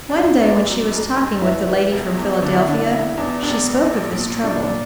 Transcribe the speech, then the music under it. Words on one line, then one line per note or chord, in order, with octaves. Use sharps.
One day, when she was talking with the lady from Philadelphia, she spoke of this trouble.
D4
F#2 E4
B3 D4
F#2
F#1
F#1
E3 E4
E3
E1
E2
D3 D4
E4
D3 D4
E4
E1 E4
E2 D4
E1 D4
E1
A#1
A#2
A#2 D4
D4